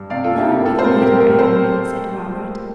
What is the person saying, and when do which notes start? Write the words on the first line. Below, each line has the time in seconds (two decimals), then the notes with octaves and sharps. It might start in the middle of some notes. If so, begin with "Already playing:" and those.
"Now we've made her angry," said Robert.
Already playing: G2
0.10 C3 D5 F5
0.24 A#3 F4 A4
0.38 E4 G4
0.47 C3
0.52 E4 G4
0.65 A#2 F4 A4
0.79 C5
0.83 C4 G4 A#4
1.02 A#2 G4 A#4
1.20 A2 G4 A#4
1.39 C4 A4 C5